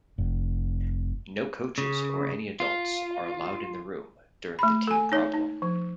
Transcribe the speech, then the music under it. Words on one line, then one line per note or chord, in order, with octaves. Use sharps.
No coaches or any adults are allowed in the room during the team problem.
F1
C#3
F4
A3 B5
A4 G#5
D#4 C#5
D#4
F3